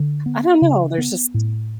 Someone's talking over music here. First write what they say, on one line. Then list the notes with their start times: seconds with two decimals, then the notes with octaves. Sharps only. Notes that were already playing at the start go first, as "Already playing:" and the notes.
I don't know, there's just
Already playing: D3
0.26 B3
0.62 C#3
0.98 B3
1.34 A2